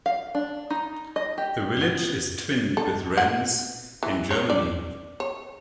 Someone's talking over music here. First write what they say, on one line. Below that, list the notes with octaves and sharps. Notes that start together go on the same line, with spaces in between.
The village is twinned with Rhens, in Germany.
F5
D4
D#4
D#5
G4
B3
A4
F#5
E3
C#5
D5
C#5